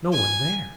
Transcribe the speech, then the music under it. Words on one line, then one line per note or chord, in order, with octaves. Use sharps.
No one there!
G#5